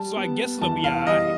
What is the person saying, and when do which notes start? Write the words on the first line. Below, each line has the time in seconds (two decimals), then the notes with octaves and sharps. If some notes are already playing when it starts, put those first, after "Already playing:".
So I guess it'll be aight."
Already playing: G3 A5
0.16 B3
0.61 E3 A5
0.84 F5
1.07 G3 D#5